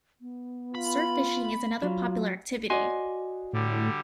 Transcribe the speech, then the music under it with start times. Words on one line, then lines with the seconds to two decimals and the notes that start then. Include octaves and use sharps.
Surf fishing is another popular activity.
0.21 B3
0.75 F4 B5
1.83 F#3 F4
2.70 F#4 D5 D#5 G#5 C6
3.53 A2 D3 G3